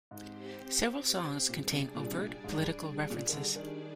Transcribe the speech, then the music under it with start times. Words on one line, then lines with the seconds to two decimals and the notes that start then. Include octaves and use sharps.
Several songs contain overt political references.
0.11 G#2 C4 G4 C5
1.49 A#2 G3 D4 G#4 D5
1.71 C3
1.95 A#2
2.10 C3
2.18 A#2
2.44 G#2
2.52 G2
2.86 G3 D4 G#4 D5
3.10 A#2
3.29 D#3
3.32 D3
3.56 D#3